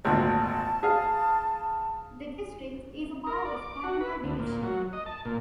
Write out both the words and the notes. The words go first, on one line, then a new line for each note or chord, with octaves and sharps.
The district is a part of Patna Division.
G#1 D2 A#2 A5
G#4 F5
A#4
D5
D6
F#4
B4
D2
A#2
F#3
D#5
A5
A#2